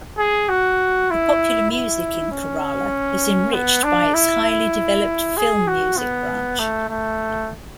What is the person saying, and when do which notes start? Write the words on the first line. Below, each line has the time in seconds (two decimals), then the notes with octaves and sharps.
The popular music in Kerala is enriched by its highly developed film music branch.
0.18 G#4
0.49 F#4
1.11 E4
1.70 E4
2.32 C#4
3.53 B3
3.84 D4
4.14 E4
5.37 G#4
5.68 F#4
5.98 B3
6.59 A3
6.89 A3